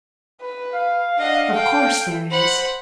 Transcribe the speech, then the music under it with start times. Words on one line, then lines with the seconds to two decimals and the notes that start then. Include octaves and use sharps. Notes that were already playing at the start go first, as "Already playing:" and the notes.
Of course there is.
0.41 B4
0.73 F5
1.18 D4 D#5 F#5
1.54 A4 G5
2.31 C5 F#5 B5